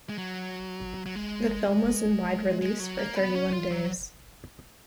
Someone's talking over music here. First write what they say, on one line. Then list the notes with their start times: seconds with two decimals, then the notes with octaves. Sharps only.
The film was in wide release for thirty-one days.
0.09 G#3
0.18 F#3
1.06 F#3
1.15 G#3
2.62 G#3
2.80 F#3
2.98 A#3
3.16 B3
3.35 C#4
3.52 F4
3.71 F#3